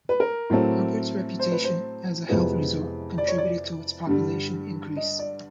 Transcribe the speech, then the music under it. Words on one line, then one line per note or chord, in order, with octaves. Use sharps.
Hubbard's reputation as a health resort contributed to its population increase.
B4
A#4
A2 F#3 A3 C4
C5
B4
C5
F2 C3 E3 G#3 B3
D5
C#5
D5
G2 D3 G3
D#5
D5